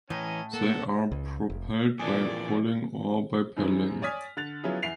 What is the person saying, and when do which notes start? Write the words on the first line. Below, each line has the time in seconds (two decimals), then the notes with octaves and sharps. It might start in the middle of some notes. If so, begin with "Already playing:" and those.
They are propelled by poling or by paddling.
0.10 A2 E3 C#4 D#5 G#5 A#5
0.53 A#3 A4 F#5
1.12 C#2
1.50 F1
1.99 F2 A#2 E3 D4 G#4 D5
3.57 F#2 D#3 E3 G3 G#3 C4
4.02 C#5 D5 G#5 D#6 F6 B6
4.37 D3 F#6 A6 F7
4.64 F#3 B3 C#4 E4 F4 G#4
4.83 E2 E4 C7 F7